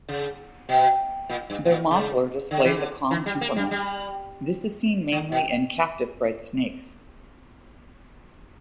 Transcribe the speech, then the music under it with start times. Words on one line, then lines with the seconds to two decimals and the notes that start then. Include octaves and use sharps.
Though Mozler displays a calm temperament, this is seen mainly in captive bred snakes.
0.09 C#3
0.69 B2
1.29 A#2
1.50 G2
1.65 B2
1.70 A#2
1.91 C#3
2.51 D3
2.64 E3
2.76 D3
3.11 E3
3.26 G3
3.41 A#3
3.56 G3
3.71 G3
5.12 D3
5.32 B2